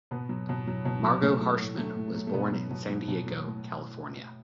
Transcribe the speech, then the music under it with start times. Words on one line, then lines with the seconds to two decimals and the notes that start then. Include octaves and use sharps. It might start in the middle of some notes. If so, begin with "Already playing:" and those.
Margo Harshman was born in San Diego, California.
0.11 B2 B3
0.29 F#3
0.49 B2
0.67 F#3
0.85 B2
1.04 F#3
1.22 A2 A3
1.40 F#3
1.59 A2
1.78 F#3 A3
1.96 A2
2.15 F#3
2.27 A3
2.34 B2 B3
2.52 F#3
2.71 B2
2.88 F#3
3.08 B2
3.27 F#3
3.45 A2